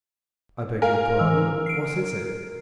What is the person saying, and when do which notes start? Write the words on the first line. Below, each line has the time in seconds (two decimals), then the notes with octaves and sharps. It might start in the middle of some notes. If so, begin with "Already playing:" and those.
"I beg your pardon; what is it?"
0.82 A#4 F5 G#5
1.19 E3 E6
1.66 C7 D7